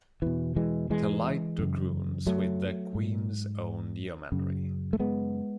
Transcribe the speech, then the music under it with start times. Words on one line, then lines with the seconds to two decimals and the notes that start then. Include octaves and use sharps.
The Light Dragoons with the Queen's Own Yeomanry.
0.22 E2 B2 E3
0.56 E3 G#3
0.90 E3 G#3
1.58 F#2 C#3
2.27 F#3 A3
2.95 G#2
4.32 F#2 C#3
4.93 A3
4.99 G#3 B3